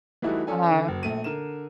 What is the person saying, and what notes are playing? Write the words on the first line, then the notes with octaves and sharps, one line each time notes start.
I know.
E3 G3 A3 D#4 E4 F#4
C#4 A4 D5 G#5
D3
F#1
A#1 A3 D#7
D3 A#4 E7